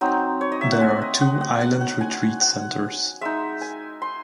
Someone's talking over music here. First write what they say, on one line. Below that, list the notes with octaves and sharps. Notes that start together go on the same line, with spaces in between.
There are two island retreat centres.
F#3 C4 D#4
C#5
D#5
E5
F#5
G#5
D#5
F#5
F#5
F#5
F#5
G#5
F#5
G#3 D#4 E5
G#5
C6